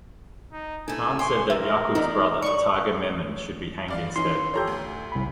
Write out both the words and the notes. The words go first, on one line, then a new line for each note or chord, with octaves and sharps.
Khan said that Yakub's brother, Tiger Memon should be hanged instead.
D#4
A3 D4 E4 G#5
C#4 G5 G#5 C6 C#6
G2 E3 A#4 E5 E6
E3 B3 D4 D#4
G2 D5 C#6
G2 D5 F5
E3 C#4 D#4 C6
F3 G4 A4 C#5 A#5 G6
D2
C2 B5